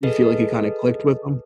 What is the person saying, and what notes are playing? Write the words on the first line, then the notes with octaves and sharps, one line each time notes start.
You feel like you kinda clicked with 'em?
G#4 A4 B4 D#5